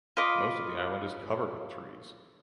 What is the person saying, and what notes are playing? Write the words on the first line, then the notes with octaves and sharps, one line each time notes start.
Most of the island is covered with trees.
F4 B4 D#5 D6